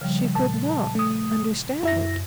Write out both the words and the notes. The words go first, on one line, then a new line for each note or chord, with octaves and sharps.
She could not understand it.
C#3 F3 G3
A#2 A5
A3 D#6
F#2 E4 E5 A#6